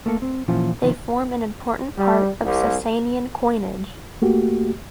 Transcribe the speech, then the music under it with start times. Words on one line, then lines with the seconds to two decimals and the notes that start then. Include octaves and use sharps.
They form an important part of Sasanian coinage.
0.06 A3 A#3 A4
0.22 C4
0.48 A#2 E3 F3 C#4 F4
0.82 C3 D#3 F3
1.97 G3
2.42 C2
4.22 A3 A#3 F#4 G4